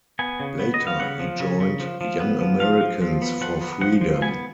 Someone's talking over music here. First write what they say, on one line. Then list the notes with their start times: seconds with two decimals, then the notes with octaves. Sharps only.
Later he joined Young Americans for Freedom.
0.19 B3 G#5
0.40 C#3
0.60 B3
0.74 D#5
0.80 B3
0.87 F5
1.00 C#3 F#5
1.20 F3
1.40 C#3
1.60 C#3
1.80 F3
2.01 F3
2.20 B3
2.41 F3
2.60 F3 F5
2.81 F3
3.02 F3
3.22 B3
3.41 F3 F#5
3.61 B3
3.81 F3 F#5
4.01 F3
4.22 B3 G#5